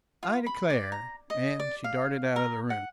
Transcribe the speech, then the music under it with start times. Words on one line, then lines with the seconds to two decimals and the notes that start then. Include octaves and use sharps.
"I declare!" and she darted out of the room.
0.23 F4
0.46 B5
0.70 D5
0.92 A#5
1.30 D#5
1.60 D5
1.84 F5
2.36 A#4
2.70 F#5